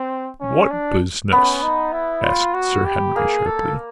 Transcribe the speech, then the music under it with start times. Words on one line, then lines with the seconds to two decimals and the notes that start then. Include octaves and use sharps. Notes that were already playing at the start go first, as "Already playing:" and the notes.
"What business?" asked Sir Henry sharply.
Already playing: C4
0.40 C#4
0.71 D4
1.32 B3 C#4
1.62 D#4
1.93 E4
2.23 F4
2.54 F#4
2.85 G4
3.15 A#3 G#4
3.46 A4